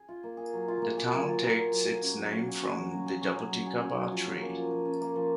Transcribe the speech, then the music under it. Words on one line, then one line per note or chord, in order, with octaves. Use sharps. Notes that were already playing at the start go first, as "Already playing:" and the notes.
The town takes its name from the "jabuticaba" tree.
Already playing: G#4
F4
A#3
G#4
F#3
F4
A#3
G#4
F#3
F4
A#3
G#4
F#3
G#4
C#4
F#3
F#3
G#4
C#4
F#3
F#3
G#4
C#4
F#3
F#3
G#4
C#4
F#3
F3
C#4
A#3
F3
F3
C#4
A#3
F3